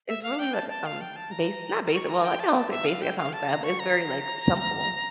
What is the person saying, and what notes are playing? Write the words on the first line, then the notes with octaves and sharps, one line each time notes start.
it's really like a, um, base not base uh, well, I can only say basic, that sounds bad, but it's very, like, simple.
E5
F5
G5
A5
A5
F5
G5
A5
A#5
A#5
C#6
A#5
G5
A5
A5
E5
F5
G5
F5
A5
A#5
C#6
A#5